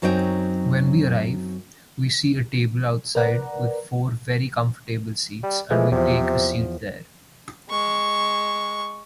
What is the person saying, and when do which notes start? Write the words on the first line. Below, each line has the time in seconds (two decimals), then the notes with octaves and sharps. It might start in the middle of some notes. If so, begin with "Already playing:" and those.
When we arrive, we see a table outside with four very comfortable seats and we take a seat there.
0.02 F#2 F#3 C4 D#4 A#4 G5
3.15 A#4 B4 D5 F#5 A#5
5.43 G3
5.70 E3 F3 G#3 A3
5.92 E2 C3 F3
7.70 G#3 C#6